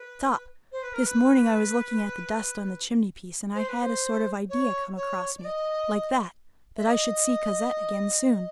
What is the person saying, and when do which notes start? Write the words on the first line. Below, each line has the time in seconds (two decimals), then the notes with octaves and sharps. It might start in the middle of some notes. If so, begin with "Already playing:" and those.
Stop! this morning I was looking at the dust on the chimney-piece, and I had a sort of idea come across me, like that, that I should see Cosette again soon.
Already playing: B4
0.71 C5
0.82 B4
0.93 A#4
1.04 B4
3.54 C5
3.68 B4
3.81 C5
4.49 C#5
4.96 C#5
5.37 D5
5.44 D#5
6.76 E5
6.85 D#5